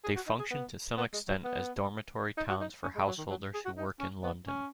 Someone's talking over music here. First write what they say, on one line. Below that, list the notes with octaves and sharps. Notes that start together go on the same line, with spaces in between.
They function to some extent as dormitory towns for householders who work in London.
G#4
F#4
D#4
G#4
B3
B3
G#3
F#3
B3
D#4
F#4
D#4
C#4
G#3
F#3
D#3
F#3
G#4
F#4
D#4
C#4
B3
C#4